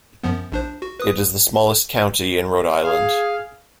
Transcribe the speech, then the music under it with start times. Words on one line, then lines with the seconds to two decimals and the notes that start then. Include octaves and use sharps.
It is the smallest county in Rhode Island.
0.24 F#2 F3 B3
0.52 A#1 D4 C5
0.82 F#4
1.00 B4 D#6
2.84 G#4 F5